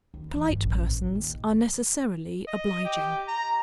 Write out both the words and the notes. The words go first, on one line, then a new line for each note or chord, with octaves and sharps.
Polite persons are necessarily obliging.
D#2
E3
G2
A1
A#1
D#2
D#5
G4
A#5